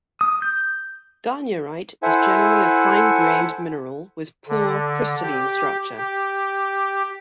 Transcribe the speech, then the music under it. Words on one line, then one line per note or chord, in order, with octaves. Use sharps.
Garnierite is generally a fine grained mineral with poor crystalline structure.
D#6
G6
E4 A4 C5 E5 F#5 G#5
D3
G4
G4